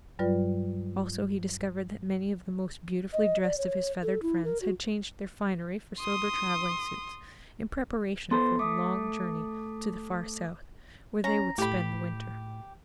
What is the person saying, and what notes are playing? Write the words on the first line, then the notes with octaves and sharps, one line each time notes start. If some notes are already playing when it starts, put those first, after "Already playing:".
Also he discovered that many of the most beautifully dressed of his feathered friends had changed their finery for sober traveling suits in preparation for the long journey to the far South where they would spend the winter.
G2 F#3 G3 F4 B4 D5
D#5
D5
C#5
A4
E4
A#4
F#4
C6 D#6
B3 A4 C5 C6
A3 D6 D#6
C#4 A#5
A2 G4 B5